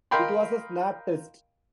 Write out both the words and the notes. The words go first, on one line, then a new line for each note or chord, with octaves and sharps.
It was a snap test.
A#4 D#5 F5 G5 B5 C6